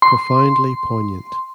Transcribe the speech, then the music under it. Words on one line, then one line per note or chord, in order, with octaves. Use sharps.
Profoundly poignant.
C6